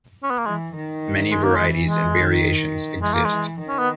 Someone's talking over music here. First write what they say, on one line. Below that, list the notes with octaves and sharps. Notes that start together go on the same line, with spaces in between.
Many varieties and variations exist.
C#4
B3
A#3
E3 G#3
D#3
G#3
A#3
E3 G#3
G#3
D#3
E3 G#3
A#3
G#3
E3
D#3
C#4
B3